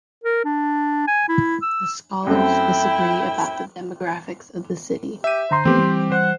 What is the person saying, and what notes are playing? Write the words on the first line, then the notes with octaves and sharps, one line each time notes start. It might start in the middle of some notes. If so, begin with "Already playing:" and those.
The scholars disagree about the demographics of the city.
A#4
D4
G#5
E4
E6
F#2 A3 C4 E4 G5
G4 E5 D#7
D3 C5 A#5 C6
E3 F3 A3 B3 C4 G4
E3 G3
C5 F#5